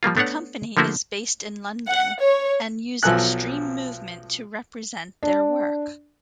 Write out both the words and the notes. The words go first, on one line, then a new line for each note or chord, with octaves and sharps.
The company is based in London and use extreme movement to represent their work.
F3 G3 A#3 F4
A3 B3 D4 C#5 F#5
D3 F3 A3 A#3 E4 F#4
F#5
C#5
B1 F3 F#3 A4 G#5 F#6
D4